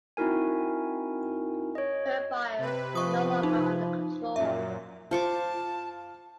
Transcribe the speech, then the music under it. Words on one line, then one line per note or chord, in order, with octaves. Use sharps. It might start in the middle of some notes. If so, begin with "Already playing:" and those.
Her fires were no longer under control.
C4 D#4 E4 F#4 A#4 G#5
C#5 D#5
C3 B4
F3 C#6 D#6
D#4
F#2 A#2 E5
F4 C5 A5 C#6 D6